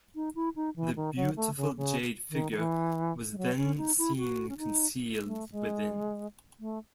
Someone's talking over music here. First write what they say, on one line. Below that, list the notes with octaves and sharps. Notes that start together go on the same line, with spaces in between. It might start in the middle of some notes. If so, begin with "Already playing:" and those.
The beautiful jade figure was then seen concealed within.
D#4
E4
D#4
E3
D#3
F#3
A3
C#3
C#3
D#3
D#3
E3
G#3
F#3
C#4
D#4
E4
F#4
C#4
D#4
A3
G#3
A3